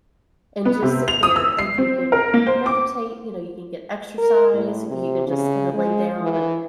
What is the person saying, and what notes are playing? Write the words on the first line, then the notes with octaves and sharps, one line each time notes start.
and just sit there, and you can meditate, you know, you can get exercise, you can just kinda lay down, and
B3
C3
F7
D#6
E6
C7
C4
A#4
A#3
C5
D6
A#4
A2
C3
C#3
G#3
E3